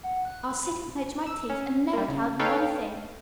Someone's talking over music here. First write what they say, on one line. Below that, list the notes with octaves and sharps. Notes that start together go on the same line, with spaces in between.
I'll sit and clench my teeth and never tell you one thing.
F#5
F#6
B5
E6
C#4
G3 A#3
C#3
D#4 A4 B4 C#5 F5 G5